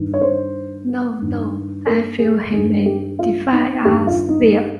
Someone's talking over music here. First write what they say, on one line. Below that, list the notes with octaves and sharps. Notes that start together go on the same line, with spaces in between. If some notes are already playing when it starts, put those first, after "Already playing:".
No, no; I feel he may defy us there.
Already playing: G2 D#3
C#5
C5
G2 D#3
A#4
G#4
G2 D#3 G#4
G4
F4
D#4
G2 D#3 G4
F4
D#4